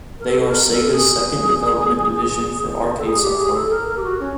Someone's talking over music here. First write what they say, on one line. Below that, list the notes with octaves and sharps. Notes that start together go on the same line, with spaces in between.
They are Sega's second development division for arcade software.
A#4
A4
A4
A#4
A4
G#4
A4
G#4
G4
G#4
A4
A#4
A#4
G4
F#4
C#4